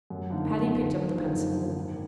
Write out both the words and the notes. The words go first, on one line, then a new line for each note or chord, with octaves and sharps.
Patty picked up the pencil.
F#2
D3 F3 A#3 D#4
F#2
D3 F3 A#3 D#4
F#2
D3 F3 A#3 D#4
F#2
D3 F3 A#3 D#4
G#1